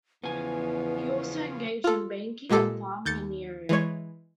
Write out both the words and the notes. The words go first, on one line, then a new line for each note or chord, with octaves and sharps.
He also engaged in banking and farming in the area.
E2 C#3 F3 B3 B4 G#5
F4 A4
A#2 G#3 G4 A4
D#2 G6 A6 C#7
E3 G#3 C#5